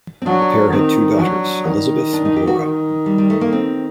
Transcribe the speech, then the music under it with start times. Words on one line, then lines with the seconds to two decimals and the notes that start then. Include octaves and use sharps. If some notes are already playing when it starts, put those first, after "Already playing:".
The pair had two daughters, Elizabeth and Laura.
0.22 C4
0.26 F#3 D4
0.72 D#3 C4
1.15 C4
1.19 F#3 D4
1.66 D#3
2.13 D4
2.25 D#4
2.36 G4
2.47 F#4
2.60 D#3
3.06 G3
3.18 G3
3.30 A3
3.41 A#3
3.52 C4